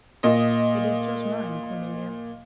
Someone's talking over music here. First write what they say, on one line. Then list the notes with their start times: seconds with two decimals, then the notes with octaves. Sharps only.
"It is just nine, Cornelia."
0.23 A#2 D#5